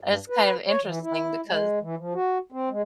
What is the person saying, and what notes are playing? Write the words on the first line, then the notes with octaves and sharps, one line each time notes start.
and it's kind of interesting because
G2
B4
C#5
E3
E4
G#3
E3
F3
F#4
C4
G#3